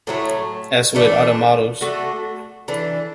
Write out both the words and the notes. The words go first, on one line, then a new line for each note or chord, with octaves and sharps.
As with other models.
A2 F#3 A3
E3 A3 D4 A4
A3 D4 F#4 A4
E3 D4 A4